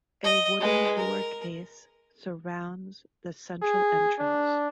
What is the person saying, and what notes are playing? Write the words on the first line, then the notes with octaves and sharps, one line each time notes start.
A wooden door case surrounds the central entrance.
D#5
G#3 B4
A#4
G#4
D4